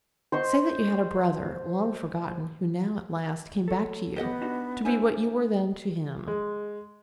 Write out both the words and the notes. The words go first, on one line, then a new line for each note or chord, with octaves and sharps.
Say that you had a brother, long forgotten, who now at last came back to you to be what you were then to him.
C5 D#5 C6 C#6
A4 C#5
B3 G4 D#5 F#5
D4 D#4 F#4
D4 E4 C5 G#5
G#3